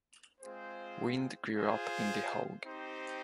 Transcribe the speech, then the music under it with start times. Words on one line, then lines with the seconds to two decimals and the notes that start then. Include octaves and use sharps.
Wind grew up in The Hague.
0.41 G#3 C4 F4 G#4 C5
1.53 F4 G#4 C5
2.65 C4 D#4 G4 C5